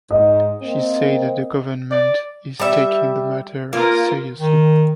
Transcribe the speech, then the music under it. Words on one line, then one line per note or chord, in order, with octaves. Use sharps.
She said that the government is taking the matter seriously.
G#2 D#5
A#3 C4
D5
G3 E5
A#3 F4 A#4
D#3